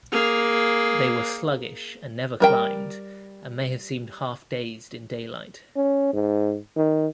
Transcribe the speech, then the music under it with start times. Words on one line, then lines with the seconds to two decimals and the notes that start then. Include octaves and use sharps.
They were sluggish and never climbed and may have seemed half-dazed in daylight.
0.12 A#3 G#4
2.40 G3 A#4 G5
5.76 C#4
6.13 G#2
6.76 D#3